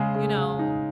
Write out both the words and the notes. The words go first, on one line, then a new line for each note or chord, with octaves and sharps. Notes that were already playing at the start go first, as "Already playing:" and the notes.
you know,
Already playing: C#3 G#3
C#3
C#3
D#4